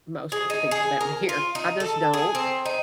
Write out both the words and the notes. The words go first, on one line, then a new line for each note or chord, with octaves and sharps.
most of the people down here, I just don't.
G#4
D#4
G#4
A#4
F4
D#4
A4
G#4
C4
D#4